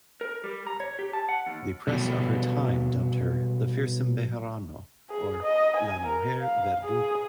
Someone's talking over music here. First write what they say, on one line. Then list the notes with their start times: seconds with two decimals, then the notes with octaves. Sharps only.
The press of her time dubbed her "The Fearsome Bejarano" or "La Mujer Verdugo".
0.21 A#4
0.44 G3
0.67 A#5
0.80 C#5
0.99 G4
1.13 A5
1.29 F#5
1.46 D#2
1.87 B2 F#3 G3 B3 G4
5.10 G#4
5.43 D#5
5.76 G#5
6.06 A#4
6.41 F5
6.83 G#4